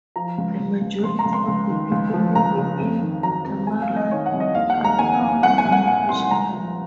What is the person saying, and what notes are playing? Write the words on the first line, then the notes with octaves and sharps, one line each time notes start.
The majority of the people living in Dumaran are farmer and fisherman.
F3 A#5
C#2
C#2
C#2
C#2 C6
A#5
C#2
C6
C#2
D#3
C#2
F3
C#2 A#5
C#3
F2
D#3
F#3 A#5
F2
C3 G#5
F5
C2
D#5
D#3 C#5
F#5
C2
D#5
D#2 F5
F#5
D#2
A#5
D#2 G#5
D#2
C2 F#5
G#5
C2
F#5
A#2 F#5
C2 C6
C#2 A#5
F3